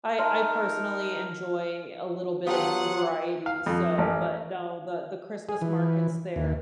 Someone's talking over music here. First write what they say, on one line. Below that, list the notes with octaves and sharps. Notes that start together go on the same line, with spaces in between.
I I, personally, enjoy a little bit of v variety, so but no, the the Christmas markets there
D#4 A#4 E5 A5 C6 F6
F#3 B3 F4 G4 A4 F#5 D#6
F5
F2
A1
G#4
E3
D#2